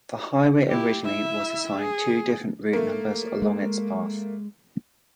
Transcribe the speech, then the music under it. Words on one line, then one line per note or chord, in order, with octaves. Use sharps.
The highway originally was assigned two different route numbers along its path.
E4 G4
E4 E5
G#4
A3 A#3
G#3